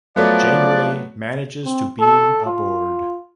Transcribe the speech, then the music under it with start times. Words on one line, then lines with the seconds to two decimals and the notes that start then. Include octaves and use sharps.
Janeway manages to beam aboard.
0.16 F3 F#3 A3 B3 D5 F#6
1.65 C4
2.00 A4
2.46 F4